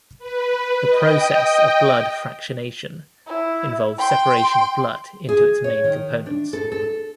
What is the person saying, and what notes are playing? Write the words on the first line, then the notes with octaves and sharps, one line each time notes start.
The process of blood fractionation involves separation of blood into its main components.
B4
D#5 G5
E4
G5 C6
G#4
C#5
D#3
D4
A4
A4